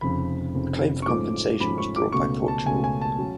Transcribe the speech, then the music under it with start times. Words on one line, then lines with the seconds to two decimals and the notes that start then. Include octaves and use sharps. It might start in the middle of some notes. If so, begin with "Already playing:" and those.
A claim for compensation was brought by Portugal.
0.01 F1 F2 C#3 B5
0.54 F1 F2 C#3
1.02 C#6
1.07 G#2 F3 A3 C#4 D6
1.60 G#2 F3 A3 C#4 B5
1.78 C#6
1.96 D6
2.13 C#2 B2 A3 C#4 C#6
2.48 A5
2.65 C#2 B2 A3 C#4 G#5
2.84 G#5
3.01 A5
3.19 F#3 C#4